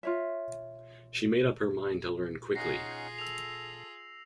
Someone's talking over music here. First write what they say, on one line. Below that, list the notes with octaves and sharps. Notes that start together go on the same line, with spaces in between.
She made up her mind to learn quickly.
F4 C#5 E5
C#4 D#4 F4 G#4 F#5 A#6 C7
A4 E6 F7